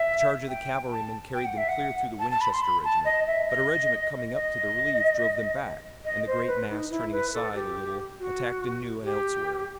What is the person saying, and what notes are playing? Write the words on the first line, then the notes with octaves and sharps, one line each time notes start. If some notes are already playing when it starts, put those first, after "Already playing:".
The charge of the cavalrymen carried them clear through the Winchester regiment, but a regiment coming up to the relief drove them back, and the great mass turning aside a little attacked anew and elsewhere.
Already playing: E5
G5
A5
G5
F#5
E5
F#5
A5
A5
B5
C6
B5
A5
D#5
E5
D#5
D#5
D#5
C5
B4
D#4
E4
B4
A4
G4
F#4
G4